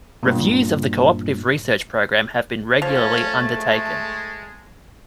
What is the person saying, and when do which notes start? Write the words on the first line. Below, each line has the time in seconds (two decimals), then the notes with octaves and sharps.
Reviews of the Cooperative Research Programme have been regularly undertaken.
0.23 G2 A#2
2.82 F3 A3 C#4 A5
3.46 G#3